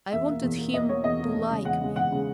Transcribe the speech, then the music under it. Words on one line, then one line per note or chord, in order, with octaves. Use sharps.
I wanted him to like me.
E2 E5
B2 A#3
E2
B2 A#3
E2 D#5
B2 A#3 C#5
E2 D#5
B2 A#3
E2
C#3 G#3
E2 F#5
C#3 G#3
E2 F#5
C#3 G#3